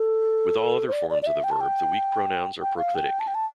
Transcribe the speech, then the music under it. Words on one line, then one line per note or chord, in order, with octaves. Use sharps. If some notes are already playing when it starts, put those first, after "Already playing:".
With all other forms of the verb, the weak pronouns are proclitic.
Already playing: A4
C5
D5
D5
D5
E5
G5
A5
G5
G5
F5
G5
A5
G5
A5